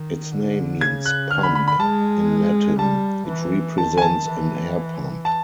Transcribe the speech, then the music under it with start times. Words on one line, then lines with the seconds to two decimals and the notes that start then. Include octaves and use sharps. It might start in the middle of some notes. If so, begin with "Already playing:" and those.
Its name means "pump" in Latin; it represents an air pump.
Already playing: D#3
0.32 D3
0.81 C#3 G#6
1.06 F#6
1.31 D3 F6
1.43 B5
1.55 B5
1.68 B5
1.79 G#3 A5
2.79 G3 A5
3.27 E3
3.78 D#3 A5
3.98 G#5
4.02 A5
4.27 E3
5.25 A5